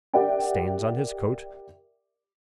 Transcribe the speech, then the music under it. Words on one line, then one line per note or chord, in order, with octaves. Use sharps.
Stains on his coat.
G4 A#4 D5 E5 F#5 G5